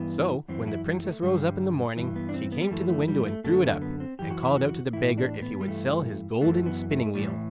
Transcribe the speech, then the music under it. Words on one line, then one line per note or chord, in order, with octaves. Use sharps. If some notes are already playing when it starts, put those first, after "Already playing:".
So when the Princess rose up in the morning, she came to the window and threw it up, and called out to the beggar if he would sell his golden spinning-wheel?
Already playing: G2 E3 B3
F#2 E3 C4
E4
G3
A3
G2 D3 G3
G2 E3
B3
D4
C4
B3
G3
F#2 E3 A3
A3
G3
A3
F#2 D3 A3
A3
B3
C4
F#2 E3 G4
F#4
E4
F#4
A2 E3 E4
D4
B3
G3
G2 E3 A3
F#2 E3 A3
B3
A3
A2 E3 G3